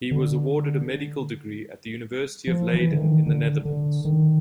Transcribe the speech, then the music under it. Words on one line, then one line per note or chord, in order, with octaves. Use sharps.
He was awarded a medical degree at the University of Leiden in the Netherlands.
D3
F3
E3
D3
D#3
D3
D3
D#3